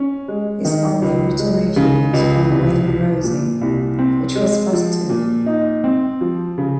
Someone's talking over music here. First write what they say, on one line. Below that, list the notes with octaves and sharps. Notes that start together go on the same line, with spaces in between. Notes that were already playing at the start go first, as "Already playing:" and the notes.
His only written review was from Wayne Rosing, which was positive.
Already playing: C#4
G#3
D#3
C#2
G#3
C#3
C#2
C2
F3
A#2
C2
C4
G#3
F3
A#2
D#4
C4
F3
C#3